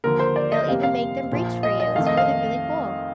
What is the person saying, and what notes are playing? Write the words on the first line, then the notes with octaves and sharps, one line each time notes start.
they'll even make them breach for you. It's really, really cool.
D#2 D3 F3 A#3 A#4
C5
D5
D#5
F2 C3 G3 A#3 F5
F5
A#1 A#2 F3
D#5
D#5
F2 D#3 A3 F5
D#5
F5